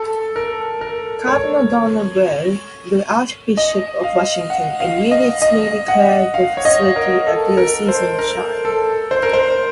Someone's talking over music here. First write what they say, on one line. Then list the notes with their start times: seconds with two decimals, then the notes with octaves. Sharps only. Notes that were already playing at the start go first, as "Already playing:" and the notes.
Cardinal Donald Wuerl, the Archbishop of Washington, immediately declared the facility a diocesan shrine.
Already playing: A4
0.36 A#4
0.81 A#4
1.27 C#5
3.57 D#5
4.04 F5
4.50 F#5
4.80 F5
5.11 D#5
5.42 D#5
5.88 F#5
6.34 F5
6.57 C#5
6.65 D#5
6.96 A#4
7.27 A4
7.57 A#4
7.88 C5
8.19 A#4
8.65 A4
9.11 C5
9.23 A#4
9.33 C5